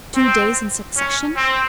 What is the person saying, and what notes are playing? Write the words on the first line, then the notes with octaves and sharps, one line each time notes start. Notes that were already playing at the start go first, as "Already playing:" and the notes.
Two days in succession!
C4
C#4
C4